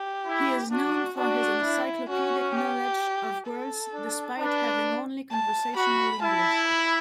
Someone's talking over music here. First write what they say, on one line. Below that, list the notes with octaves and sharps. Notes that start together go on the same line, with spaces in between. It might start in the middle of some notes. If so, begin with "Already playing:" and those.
He is known for his encyclopedic knowledge of words despite having only conversational English.
Already playing: G4
E4
D4 F#4
D4 F#4
E4
C#4 F#4
G4
A4
D4
D4 B4
A5
F#4 B5
E4 A5
B5